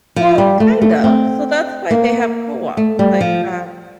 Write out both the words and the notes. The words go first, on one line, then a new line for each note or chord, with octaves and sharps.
Well, kind of. So that's why they have co-ops, like, um,
F3
G3
A3
A3
C4
A#3
A3
G3
F3